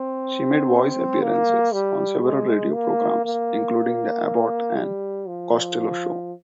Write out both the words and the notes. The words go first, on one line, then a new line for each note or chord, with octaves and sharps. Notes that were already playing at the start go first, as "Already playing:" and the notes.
She made voice appearances on several radio programs, including the "Abbott and Costello Show".
Already playing: C4
A#3
G3
G#3
A#3
A#3
G3
F3